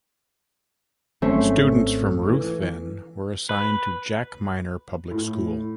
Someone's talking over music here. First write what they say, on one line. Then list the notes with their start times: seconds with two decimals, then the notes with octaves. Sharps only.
Students from Ruthven were assigned to Jack Miner Public School.
1.22 G#1 A3 C4 C#4
2.29 E3
3.49 B4
5.11 A2